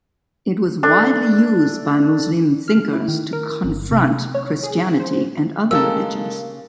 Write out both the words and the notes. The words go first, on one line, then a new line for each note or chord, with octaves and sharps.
It was widely used by Muslim thinkers to confrontation Christianity and other religions.
A3 D4
F6
E4
D#3
A#4
G1
C3
C#5
G#4
C5
C#3 G#3 A#3 G4 A4 A#4 E6